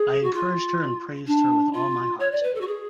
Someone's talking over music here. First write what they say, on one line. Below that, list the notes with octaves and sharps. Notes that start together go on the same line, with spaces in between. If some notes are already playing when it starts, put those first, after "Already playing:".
I encouraged her and praised her with all my heart.
Already playing: G#4
F#4
F4
D4
F4
C#5
D5
B4
A4
F#4
G#4